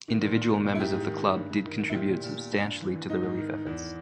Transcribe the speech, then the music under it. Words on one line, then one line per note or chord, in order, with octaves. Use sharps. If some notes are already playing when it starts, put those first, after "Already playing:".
Individual members of the club did contribute substantially to the relief efforts.
D#3
A#2
A#2
A#2
A#2
E4
G#2 G4
G#2
D#3
D#3
G2
G2
D#3
D#3
E4
A#2 G4
A#2
A#2
A#2
G2
G2
E3
E3
G#2 D#4
G#2
D#3
D#3
E2